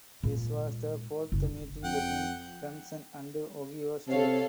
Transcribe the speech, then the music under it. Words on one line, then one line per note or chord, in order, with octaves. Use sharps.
This was the fourth meeting between Clemson and Ohio State.
A#2 G#3
F#1
F2 F#5 G5
C3 A4 C#5 F5